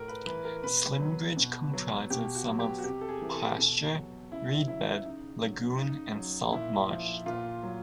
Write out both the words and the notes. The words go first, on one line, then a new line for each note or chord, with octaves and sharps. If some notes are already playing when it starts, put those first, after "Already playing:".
Slimbridge comprises some of pasture, reed bed, lagoon and salt marsh.
Already playing: A2 A#4
B4
E3 B4
A#4
B2 B4
F#3
B2
F#3
B2 G4
F#4
F#3
G4
F#4
C3 G4
A4
G#4
E3
A4
B2
F#3
C#3 E4
F#3 E4
C#3 D#4
F#3
C#3 D#4
F#3
A#2 E4
F3
A#2 F4
F#3